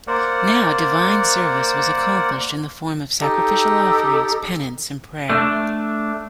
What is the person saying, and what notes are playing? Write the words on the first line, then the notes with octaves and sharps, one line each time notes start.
Now divine service was accomplished in the form of sacrificial offerings, penance and prayer.
A#3 A#4 C5 D5 F#5
D#4 G4 A4
A3 D4